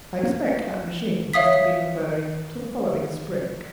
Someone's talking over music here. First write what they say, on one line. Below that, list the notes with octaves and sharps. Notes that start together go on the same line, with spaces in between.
I expect that machine must have been referring to the following spring.
A#3
C#5 E5 F5 D#6 B6